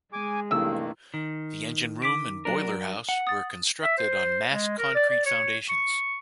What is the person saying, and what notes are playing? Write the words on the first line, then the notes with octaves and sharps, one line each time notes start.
The engine room and boiler house were constructed on mass concrete foundations.
G#3 G#5 D6
G2 C3 D#3 E3 A3 A#3 E6
D#3
D6 B6 D7
F#3 D4 A#4
F#5
D#6 A6
E5
C5
G#3
A#4
D5
D5
C#5
C#6